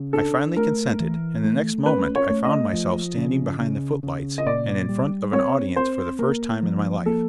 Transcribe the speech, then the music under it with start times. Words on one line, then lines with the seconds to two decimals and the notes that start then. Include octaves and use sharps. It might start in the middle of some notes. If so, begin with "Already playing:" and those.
I finally consented, and the next moment I found myself standing behind the footlights and in front of an audience for the first time in my life.
Already playing: C#3
0.13 D4 A4
0.57 A3 A#4
1.00 E3
1.44 A3
1.86 C#4 B4
2.16 C#5
2.30 A3
2.45 D#5
2.73 F3
3.17 C#3
3.60 C#3
4.03 C#3
4.38 D#5
4.46 A#2 D5
4.89 G3
5.32 C4 C#5
5.76 C4 C5
6.19 A#3 A#4
6.63 F3
7.06 A#3 A4